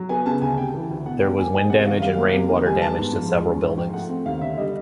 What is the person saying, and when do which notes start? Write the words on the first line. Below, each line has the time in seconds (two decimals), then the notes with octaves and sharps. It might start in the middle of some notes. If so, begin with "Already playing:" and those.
There was wind damage and rainwater damage to several buildings.
Already playing: F#3
0.09 B3 G#5
0.26 C#3 A5
0.42 D2 G#5
0.58 C3 G5
0.74 E3
0.90 D2
1.06 B2 F#5
1.21 G3 G5
1.38 A#3 G#5
1.54 D#4 G#5
1.70 C3 F#5
1.86 D#3 F5
2.01 G3 F5
2.17 A#3
2.33 C3
2.50 D#3
2.66 G3 G#5
2.81 B3 A5
2.97 G#2
3.13 F3
3.30 G#3
3.46 C#4
3.62 G#2
3.77 F3 G5
3.93 A3 F#5
4.09 C4
4.26 D#2 F5
4.41 D3 E5
4.58 G3 D#5